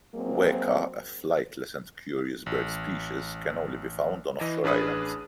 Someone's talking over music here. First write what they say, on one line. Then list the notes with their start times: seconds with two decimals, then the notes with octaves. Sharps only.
Weka, a flightless and curious bird species, can only be found on offshore islands.
0.15 F#3 G#3 A#3 C4
2.46 A1
4.41 E3 D#5
4.64 A1 D4 G#4 B4 D#6